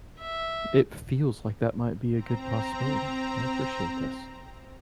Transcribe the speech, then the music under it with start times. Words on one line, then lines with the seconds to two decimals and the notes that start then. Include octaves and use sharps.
it feels like that might be a good possibility. I appreciate this.
0.19 E5
2.11 C4 A#5